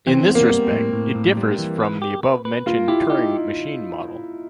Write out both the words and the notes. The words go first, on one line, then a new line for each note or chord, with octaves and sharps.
In this respect, it differs from the above-mentioned Turing machine model.
E3 C4
B3
A#3
G3
A2
A2
A2
G3
E3
B4
G4
B4
B4
A#3 F4
E4 G4
D#4 G4